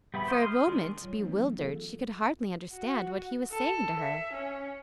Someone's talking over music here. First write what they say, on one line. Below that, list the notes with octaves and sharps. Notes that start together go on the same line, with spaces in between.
For a moment, bewildered, she could hardly understand what he was saying to her.
G3 B3 E5 B5
C5 D5 D#6
C6 F6
D#3 G#3 D4
F#3 G3 F4 C#5
E3 F#3 A3 B3 C#4 D#4
F4 G#4 A4 F5
F#4
A4
E5
C#4